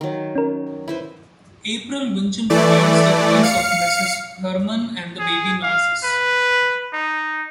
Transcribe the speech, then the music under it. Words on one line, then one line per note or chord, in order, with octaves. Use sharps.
April Winchell provides the voice of Mrs. Herman and the "baby noises".
D#3 F#3
C#4 A#4
E4 B4 C5
E3 A3 D5
F5 C#7
G#4
F5
B4
D#4